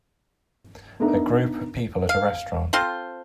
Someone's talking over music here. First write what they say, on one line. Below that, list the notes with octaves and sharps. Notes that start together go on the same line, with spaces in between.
A group of people at a restaurant.
B3 D4 D#4 A#4 E5 A#5
F5
C4 F4 A4 C5